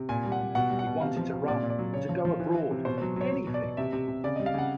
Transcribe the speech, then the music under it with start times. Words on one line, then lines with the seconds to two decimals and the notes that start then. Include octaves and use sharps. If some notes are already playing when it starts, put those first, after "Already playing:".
He wanted to run, to go abroad, anything.
Already playing: C3
0.09 A#2 G#5
0.25 G3
0.32 F#5
0.40 G3
0.55 B2 F#5
0.70 G3
0.79 F#5
0.87 B2
1.01 C3 F5
1.17 F3
1.33 C3
1.48 A#2 D5
1.63 A#2
1.70 D5
1.79 F#3
1.93 C#3 C#5
2.09 F3
2.25 F3
2.40 E3
2.54 E3
2.71 C3
2.85 B2 C5
2.98 F#3 C5
3.16 F#3 C#5
3.32 F#3
3.47 B2
3.54 D5
3.62 B2
3.77 C3 E5
3.93 C3
4.08 C3
4.24 C#3 D5
4.36 G3 D#5
4.46 F5
4.54 C#3 F#5